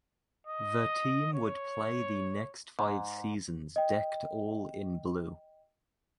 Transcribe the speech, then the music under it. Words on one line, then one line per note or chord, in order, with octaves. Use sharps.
The team would play the next five seasons decked all in blue.
D#5
C#5
G#2
D#5 G5